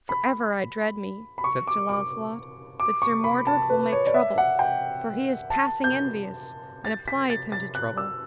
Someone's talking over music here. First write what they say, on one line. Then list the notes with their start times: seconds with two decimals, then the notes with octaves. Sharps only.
For ever I dread me, said Sir Launcelot, that Sir Mordred will make trouble, for he is passing envious and applieth him to trouble.
0.09 B5
1.38 B5
1.44 C#6
1.67 D6
1.89 D6
2.80 D6
3.02 C#6
3.24 B5
3.47 A5
3.70 B4
3.92 C#5
4.07 D5
4.14 E5
4.38 F#5
4.59 G5
5.50 A5
5.84 G6
6.85 A6
7.08 B6
7.30 A6
7.52 A6
7.75 F#6
7.98 E6